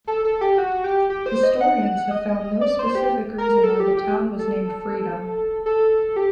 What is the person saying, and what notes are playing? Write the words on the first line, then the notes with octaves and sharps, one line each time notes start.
Historians have found no specific reason why the town was named Freedom.
A4
A4
G4
F#4
G4
G4
C5
D#5
F#5
D#5
D5
C5
G4
A#4
A4
G4
G4
A4
A4
G4